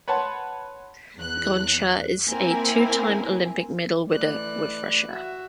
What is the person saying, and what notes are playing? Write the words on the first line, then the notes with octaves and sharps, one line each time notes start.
Gonchar is a two-time Olympic medal-winner with Russia.
B4 C#5 F#5 A5 C6
E2 F#6
A#3 C4 E4 A#4 G#5
E3 A3 D5 F#6
F#4 E5